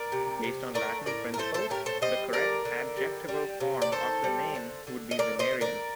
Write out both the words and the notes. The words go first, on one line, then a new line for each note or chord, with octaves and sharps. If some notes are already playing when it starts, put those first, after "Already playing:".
Based on Latin principles, the correct adjectival form of the name would be Venerean.
Already playing: A#4 D5
C3
C3
A3 A#4 D5
A2 A#4 D5
A#4
A3 A4 C5
A4 C5
A2 G4 A#4
A4 C5
G3 C5 D#5
D3 A#4 D5
D3
G3
G3
C3
D5
D#3 A4 C5
G3
D3
D3
D#5
D3 A#4 D5
C5 D#5
D3
A#4 D5